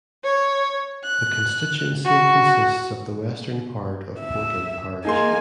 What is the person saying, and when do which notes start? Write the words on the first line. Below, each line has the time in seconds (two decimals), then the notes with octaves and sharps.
The constituency consists of the western part of Portland Parish.
0.24 C#5
1.04 F#6
2.05 F#4
4.20 E5
5.05 A#3 D#4 G#4 G#5 C6